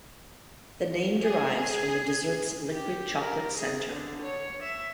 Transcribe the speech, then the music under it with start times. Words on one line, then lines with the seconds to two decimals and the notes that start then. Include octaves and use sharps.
The name derives from the dessert's liquid chocolate center.
1.23 G#4
2.70 G4
3.19 A#4
3.58 G#4
3.90 D3
4.22 C#5
4.63 E5